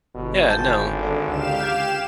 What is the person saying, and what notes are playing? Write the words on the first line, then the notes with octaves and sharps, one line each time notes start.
Yeah. No.
G1 B2
G#1 A5 G6 A6
D3
C#2 G4 F5 E7
G6 G#6